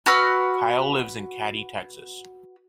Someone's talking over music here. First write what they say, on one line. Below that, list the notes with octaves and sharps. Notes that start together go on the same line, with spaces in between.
Kyle lives in Katy, Texas.
F#4 B4 E6 F6